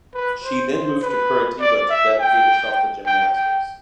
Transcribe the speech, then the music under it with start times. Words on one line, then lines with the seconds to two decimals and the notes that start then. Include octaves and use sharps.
She then moved to Curitiba to dedicate herself to gymnastics.
0.14 B4
0.43 C5
0.73 C5
1.02 B4
1.60 D5
1.90 E5
2.19 G5
3.06 G5
3.35 G5